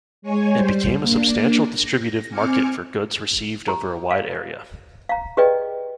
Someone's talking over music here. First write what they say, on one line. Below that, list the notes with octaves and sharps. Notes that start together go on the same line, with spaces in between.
It became a substantial distributive market for goods received over a wide area.
G#3 C#5 G#5
G3 C5
A#3 D4
A#6
C4 G#5 D6 F6 G#6 C#7
G4 A#5
F5
F5 A#5
G4 G#4 B4 D5 D#5 G5